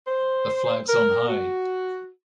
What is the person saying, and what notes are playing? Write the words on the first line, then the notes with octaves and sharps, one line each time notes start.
The flags on high!
C5
A#4
F#4